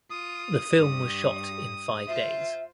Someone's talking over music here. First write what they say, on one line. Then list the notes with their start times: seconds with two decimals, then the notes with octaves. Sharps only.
The film was shot in five days.
0.11 F4 D#6
0.77 G2
2.08 F4 C5 E5